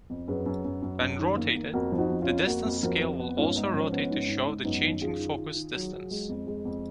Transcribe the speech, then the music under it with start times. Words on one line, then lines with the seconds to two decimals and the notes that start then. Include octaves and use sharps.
When rotated, the distance scale will also rotate to show the changing focus distance.
0.10 F2
0.28 F#2 G#4 B4
0.46 F#2
0.65 F#2
0.82 F#2
1.01 F#2
1.19 D#3
1.37 A#3
1.55 A#3
1.73 F2 F#4 A#4
1.92 F3
1.98 D#4 F#4
2.10 F2
2.22 C#4 F4
2.29 F2
2.47 A#3 F#4 A#4
2.65 F2
2.83 F3 F#4 A#4
3.01 F2
3.19 B3
3.37 G#2 C#4 F4
3.55 G#2 B3 D#4
3.74 F3 C#4
3.92 B3 C#4
4.11 G#2
4.28 G#2
4.47 G#2
4.64 F#2 B3 D#4
4.83 D#3
5.02 F#2 F4 G#4
5.19 D#3
5.38 D#3
5.56 D#3
5.74 F#3
5.92 F#3
6.11 G#3
6.29 F2
6.47 G#3
6.65 F2